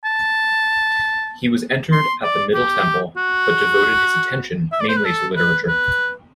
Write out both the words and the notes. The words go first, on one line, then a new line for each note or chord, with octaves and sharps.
He was entered at the Middle Temple, but devoted his attention mainly to literature.
A5
C6
D5
G4
F#4
E5
D5
C5
B4
A4
B4
B4